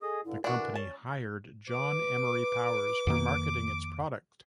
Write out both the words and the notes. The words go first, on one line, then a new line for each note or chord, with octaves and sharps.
The company hired John Emory Powers for marketing its product.
G#4 A4 D#5 D#6
G2 D3 E4
D3 E3 D4 F#4 A#4
C#4 A5
B4 D6
F2 D#3 A#3